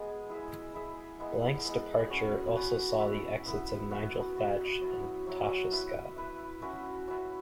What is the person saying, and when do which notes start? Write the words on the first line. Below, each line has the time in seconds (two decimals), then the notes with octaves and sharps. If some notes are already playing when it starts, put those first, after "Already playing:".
Blank's departure also saw the exits of Nigel Thatch and Tasha Scott.
Already playing: G#3 B3 G#4
0.30 E4 G#4 E5
0.74 E4 G#4 E5
1.19 G#3 B3 E4
1.64 G#3 B3 E4
2.10 C#4 F#4 B4
2.55 C#4 F#4 B4
3.00 B3 E4 B4 E5
3.46 B3 E4 B4 E5
3.91 B3 F#4 B4 E5
4.35 B3 F#4 B4 E5
4.81 F#3 E4 C#5
5.27 F#3 E4 C#5
5.72 E4 B4 E5
6.16 E4 B4 E5
6.62 C#4 F#4 B4 E5
7.07 C#4 F#4 B4 E5